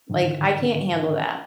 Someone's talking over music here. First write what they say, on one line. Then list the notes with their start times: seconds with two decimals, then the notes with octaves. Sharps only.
like, "I can't handle that."
0.10 G#2 D3 D#3